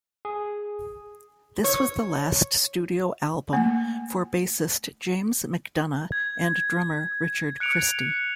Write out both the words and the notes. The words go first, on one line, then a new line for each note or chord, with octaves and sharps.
This was the last studio album for bassist James MacDonough and drummer Richard Christy.
G#4
C#5
A3 A#3
G#6
F#6 C#7 D7 F7